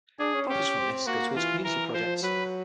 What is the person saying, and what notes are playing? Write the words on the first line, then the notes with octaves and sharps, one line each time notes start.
Profits from this go towards community projects.
D4 G#4
C#4
C#4 G4
C4
A#3 F#4
E3 F4
E3 A#4
F3 C5
F#3 B4